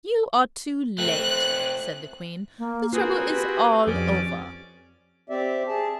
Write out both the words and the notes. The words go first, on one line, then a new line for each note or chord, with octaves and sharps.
"You are too late," said the Queen; "the trouble is all over."
A3 C4 F#6
A#3
C4 F4 F#4 G#4 A#4 B4
G4
F2 C#4 D5 D6
C4 G4 D5 E5
G#4 A5